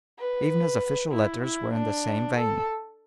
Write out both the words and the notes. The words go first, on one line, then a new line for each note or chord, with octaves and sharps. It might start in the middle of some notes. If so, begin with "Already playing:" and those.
Even his official letters were in the same vein.
B4
E4
E4
D4
A4